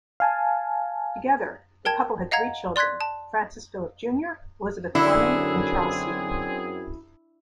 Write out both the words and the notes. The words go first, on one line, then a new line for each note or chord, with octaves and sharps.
Together the couple had three children: Francis Philip Junior Elizabeth Fleming, and Charles Seton.
F5 G#5 A5
A#4 G5 A5 G#6
D#5 F5 F#5 A#5 G#6
D5 C6 F#6 G#6 B6
A5
F#2 D3 C4 E4 G#4